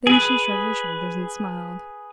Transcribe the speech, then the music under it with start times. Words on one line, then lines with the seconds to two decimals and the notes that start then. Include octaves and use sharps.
Then she shrugged her shoulders and smiled.
0.07 G#4 B4